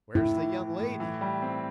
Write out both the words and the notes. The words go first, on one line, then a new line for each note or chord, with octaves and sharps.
"Where's the young lady?"
A2 E4
E3
E3
A2
E3
G3
C4